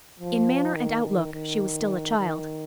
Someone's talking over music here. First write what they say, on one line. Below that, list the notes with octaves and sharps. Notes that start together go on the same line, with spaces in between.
In manner and outlook she was still a child.
F3
D#3
D#3
D#3
D#3